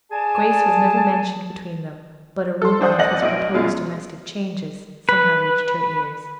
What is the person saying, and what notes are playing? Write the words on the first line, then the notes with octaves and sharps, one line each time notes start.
Grace was never mentioned between them, but a rumor of his proposed domestic changes somehow reached her ears.
G#4 D5 G#5 A5
A4 C6
D4 C5 F#5 D#6 G6
F1 D5 D#5 F#5 A#6 F#7
B1 E4 D#5 D7
F#2 B2 G#3 F4
B4